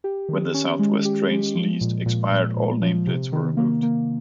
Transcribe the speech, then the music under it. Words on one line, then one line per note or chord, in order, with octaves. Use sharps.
When the South West Trains lease expired all nameplates were removed.
G4
D#3
C#4
G#3
G4
G#3
F3
A#2
A#2
A#2
A#2
F3
C3
D#3
A#3
A#3